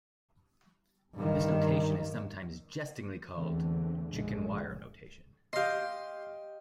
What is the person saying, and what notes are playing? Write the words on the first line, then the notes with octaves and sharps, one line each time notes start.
This notation is sometimes jestingly called "chicken wire notation".
G2 D#3
E2 D3 E3 A3 C4
A#1 F2 A2 D3 G#3 A3
G4 D#5 F5 C6